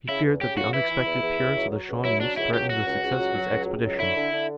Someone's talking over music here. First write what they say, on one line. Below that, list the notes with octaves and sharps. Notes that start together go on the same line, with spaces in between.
He feared that the unexpected appearance of the Shawnees threatened the success of his expedition.
C#3 E4
E2
C#3 G4
C#3 F#4
E3 E4
E3
E2
E2
C#2
F#3
F#3
C#2
F#3 E4
F#3 D4
C#2 E4
F#3 G4
C#2 F#4
C#2
C#2
F#3
F#3
C#2
C#2
F#3
D3 E4
D3
D3